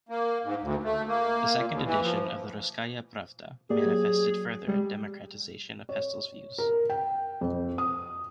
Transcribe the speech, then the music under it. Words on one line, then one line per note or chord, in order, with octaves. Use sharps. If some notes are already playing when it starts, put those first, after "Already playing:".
The second edition of the Russkaya Pravda manifested further democratization of Pestel's views.
A#3
G#2
D2
A3
A#3
A#2
D#2
E3
F3
A#3 G4 G#4 D5
F#3 G#6
G3 G#3
C#5
A#4
G5
F2
D#6